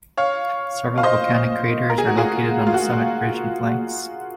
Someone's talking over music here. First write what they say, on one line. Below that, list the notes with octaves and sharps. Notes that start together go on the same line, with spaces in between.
Several volcanic craters are located on the summit ridge and flanks.
C#5 F5
F5
C5 D#5
A#4
G#4
F#4
F4 G#4
F4
F#4